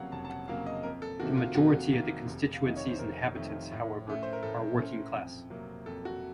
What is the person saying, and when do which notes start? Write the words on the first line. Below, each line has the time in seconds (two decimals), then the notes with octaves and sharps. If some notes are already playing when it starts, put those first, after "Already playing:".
The majority of the constituency's inhabitants, however, are working-class.
Already playing: F1 F2 C#3 F#3 A#3 C#5 F5 F#5
0.12 F1 A5
0.25 A5
0.30 F#5
0.48 F2 C#3 F#3 A#3 F5
0.66 D#5
0.83 F2 A#4
1.02 A4
1.20 C3 D#3 A#3 F#4
1.37 F4
1.55 F2 F#4
1.92 C3 D#3 A#3
2.27 F1
2.54 F5
2.63 F2 D#3 A3 D#5
2.77 C#5
2.88 C5
2.99 F1 A#4
3.35 F2 D#3 A3
3.71 A2
4.07 A3 C#4
4.23 C5
4.33 A#4
4.43 A2 A4
4.79 A3 C#4
5.15 F2
5.50 C3 F#3 A#3
5.86 F2 A4
6.05 F#4